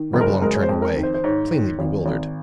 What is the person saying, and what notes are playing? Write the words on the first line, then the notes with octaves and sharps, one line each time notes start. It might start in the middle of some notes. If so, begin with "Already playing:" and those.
Reblong turned away, plainly bewildered.
Already playing: D#3
F#1
A#4
G#3 A#4
C#5
C5
F2
A#4
D#3
C5
C5
G#2 C#5
D#3
G#1
G#1